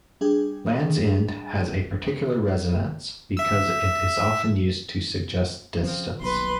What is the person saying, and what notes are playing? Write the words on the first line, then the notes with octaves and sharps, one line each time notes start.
Land's End has a particular resonance because it is often used to suggest distance.
G3 D4 G4 G#4
E5 E6
C#3 F3 C4
D#1 B1 B4 C6